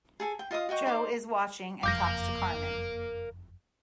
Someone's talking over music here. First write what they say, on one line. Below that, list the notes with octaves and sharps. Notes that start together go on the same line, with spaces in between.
Joe is watching and talks to Carmen.
G#4 A4 G#5
G5
F4 D#5 F5 D#6
F#4 D#5 G5 C#6
D#4 C5 D5 D6
F#1 F2 A#4 F5 D6 G6 A#6